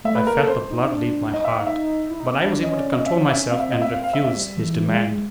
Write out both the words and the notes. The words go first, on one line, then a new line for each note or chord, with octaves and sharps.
I felt the blood leave my heart, but I was able to control myself and refuse his demand.
A3 E5
B4
A#3 A#4
A4
C5
D#4
D4
D#4 D#5
E5
F5
E5
E4
D#4
D#4
D4
C#4 D#5
D5
D#5
E5
E5
C4 F5
E5
D#5
E5
F5
F5
E5
E5
G3
E3
E3
G#3
G#3